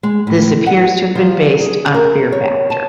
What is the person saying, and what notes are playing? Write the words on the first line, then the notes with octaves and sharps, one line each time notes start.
This appears to have been based on "Fear Factor".
G#3
A2
F#5
F3
G#4
A#4
C#5
A5